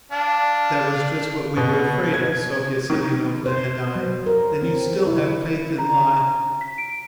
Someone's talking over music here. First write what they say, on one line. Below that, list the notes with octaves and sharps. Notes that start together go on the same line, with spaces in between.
That was just what we were afraid of, Sofya Semyonovna and I. Then you still have faith in life?
D4 F5 A5
B2
G#6
D#3
C5
F#3
A#4
C4
E4
A#5
B6
D7